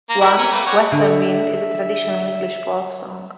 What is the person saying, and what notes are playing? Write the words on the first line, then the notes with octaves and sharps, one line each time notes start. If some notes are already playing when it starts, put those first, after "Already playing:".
One, "Western Wind", is a traditional English folk song.
A#3 A#5
E4 F#4 A#4
C#4 A#4 B4
A3 A#3 B4
F#4 G4 C#5
D3 E5